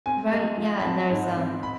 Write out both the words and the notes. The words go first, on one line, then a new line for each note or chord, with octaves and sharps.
Right, yeah, and there's, um
C4 G#5
G#3
F3
B5
C4 A5
G#2
C4
B5